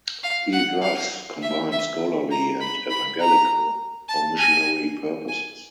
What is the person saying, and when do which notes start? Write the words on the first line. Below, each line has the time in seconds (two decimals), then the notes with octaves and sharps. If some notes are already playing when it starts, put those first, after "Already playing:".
He thus combined scholarly and evangelical or missionary purposes.
0.23 F5
0.53 F#5
0.82 F5
1.42 E5
1.72 E5
2.31 A#5
2.60 B5
2.90 B5
3.20 A#5
4.09 A5
4.39 G#5
5.28 G#5